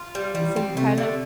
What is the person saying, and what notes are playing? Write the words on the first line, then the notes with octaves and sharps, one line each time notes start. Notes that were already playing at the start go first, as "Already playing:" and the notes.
So you kind of
Already playing: F4
G3
E3 G3
C4
C3 A3
D3